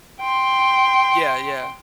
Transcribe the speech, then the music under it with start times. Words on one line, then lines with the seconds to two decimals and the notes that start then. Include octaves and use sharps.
Yeah, yeah.
0.20 G5 C6